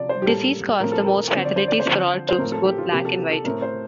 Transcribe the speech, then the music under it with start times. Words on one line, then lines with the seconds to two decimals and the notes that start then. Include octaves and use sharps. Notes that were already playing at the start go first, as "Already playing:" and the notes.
Disease caused the most fatalities for all troops, both black and white.
Already playing: C3 F3 D5
0.09 C5
0.22 G4
0.26 A2 G3 A#3 A4
0.80 A2 F3 C4 A#4
0.92 A4
1.03 A#4
1.33 D3 F3 C4 C5
1.45 D5
1.56 C5
1.68 D5
1.80 C5
1.85 D3 F3 C4
2.29 C5
2.38 A2 F3 C4 A#4
2.52 A4
2.65 G4
2.78 F4
2.92 C3 F3 A#3 G4
3.05 A4
3.19 G4
3.31 A4
3.44 A2 A3 C4 A#4
3.62 C5